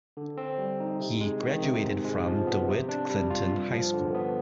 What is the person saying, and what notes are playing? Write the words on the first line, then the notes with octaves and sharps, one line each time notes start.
He graduated from DeWitt Clinton High School.
D3
C4
G3
D#4
C3
G#3
D#3
C3
G#2
G#3
F3
B3
C3
D4
G3
F4
G2
F3
D3
B3